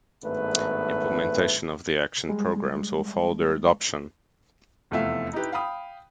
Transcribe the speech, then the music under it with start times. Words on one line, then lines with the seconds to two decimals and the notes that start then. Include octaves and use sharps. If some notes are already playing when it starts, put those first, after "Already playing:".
Implementation of the action programmes will follow their adoption.
0.24 G#1 G2 A3 B3 B4
2.29 G3 G#3
4.91 F1 E2 F3 A3 E5 F5
5.33 D#4 E4 G4 B4
5.52 F5 G5 B5 D#6